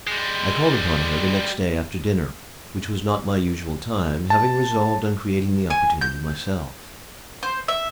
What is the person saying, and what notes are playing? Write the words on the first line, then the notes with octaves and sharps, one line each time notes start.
I called upon her the next day after dinner, which was not my usual time, having resolved on creating the opportunity myself.
G3 G#3
A5
G#5
G6
C5
E5